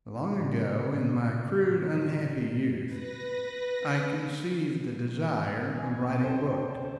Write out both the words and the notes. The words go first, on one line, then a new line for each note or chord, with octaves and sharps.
Long ago in my crude unhappy youth, I conceived the desire of writing a book.
A2 C#3 C#4
B4 A#6
B1 D#5 G#5
F#3 C#4 A4 C5 G5
D2 C3 C#4